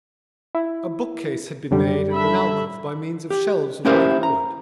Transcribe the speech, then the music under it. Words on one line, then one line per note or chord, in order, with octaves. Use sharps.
A bookcase had been made in an alcove by means of shelves of white wood.
E4
F#2 D3 G3
A4 E5 B5
G4
A#3 C#4 E4 G4 A#4 C5
A#5